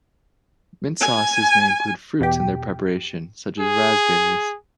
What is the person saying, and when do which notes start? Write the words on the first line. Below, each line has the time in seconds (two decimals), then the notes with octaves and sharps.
Mint sauces may include fruits in their preparation, such as raspberries.
1.01 G#5
2.20 E2 B2 G4
3.60 G#4